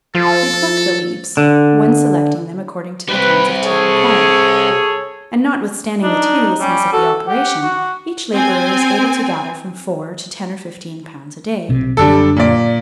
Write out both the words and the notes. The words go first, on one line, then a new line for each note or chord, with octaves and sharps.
They pluck the leaves, one selecting them according to the kinds of tea required; and, notwithstanding the tediousness of the operation, each labourer is able to gather from four to ten or fifteen pounds a day.
F3 A4
D3
G3 C4 B4
G#4 A4 C#5
D4 D#4
G3 C#4
F#4 A4
G4 F#5
F#4
C4 G#5
B1 C3
F#1 F#2 D3 G3 D4 A4
A#2 D5